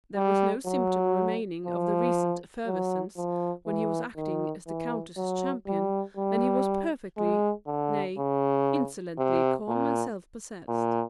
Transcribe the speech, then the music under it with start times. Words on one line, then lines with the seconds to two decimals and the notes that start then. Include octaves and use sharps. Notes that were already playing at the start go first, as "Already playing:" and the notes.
There was no symptom remaining of the recent effervescence when he was acting as the Countess's champion, and he was perfectly--nay, insolently calm and self-possessed.
0.16 G3
0.66 F#3
1.66 F3
2.67 F#3
3.17 F3
3.66 E3
4.17 D#3
4.68 E3
5.17 F#3
5.67 G3
6.17 G3
7.18 G#3
7.67 D3
8.18 C#3
9.18 C3
9.68 A#2
10.68 A#2